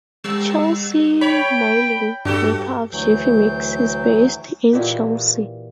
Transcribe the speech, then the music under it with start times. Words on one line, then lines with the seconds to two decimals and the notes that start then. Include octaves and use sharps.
Chelsea Milling, maker of Jiffy Mix, is based in Chelsea.
0.24 G3 E6
1.21 C#5 G5 B5
2.25 G2 F#4 G4 A4
2.93 D2 E3 F#3 G6
4.73 A#2 E3 F#4 G4